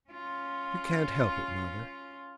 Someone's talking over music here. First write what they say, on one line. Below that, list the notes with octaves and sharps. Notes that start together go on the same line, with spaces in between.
'You can't help it, mother.
C#4 F4